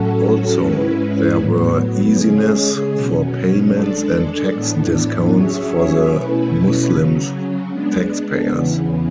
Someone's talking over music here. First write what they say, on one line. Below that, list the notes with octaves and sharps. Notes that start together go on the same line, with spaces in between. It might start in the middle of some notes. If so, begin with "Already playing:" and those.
Also, there were easiness for payments and tax discounts for the Muslims taxpayers.
Already playing: A2 F#3 C#4 F#4 A4
G#2 G#3 C#4 E4 B4
A2 F#3 B3
C#3 G#3 C#4 G#4
B2 F#3 C#4
G#3 D4 A4 D5
A2 E3 B3 D4
F#3 C#4 G#4 C#5 E5
B2 A3 C#4 E4 B4
C#3 F#3 C#4
G#3 B3 D4
E2 C#3 E3 B3